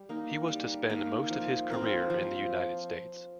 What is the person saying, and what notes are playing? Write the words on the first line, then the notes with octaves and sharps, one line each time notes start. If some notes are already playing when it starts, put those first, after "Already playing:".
He was to spend most of his career in the United States.
Already playing: G3
A#3 D#4
G3
A#3 D#4
F3
C4 F4 A#4
F3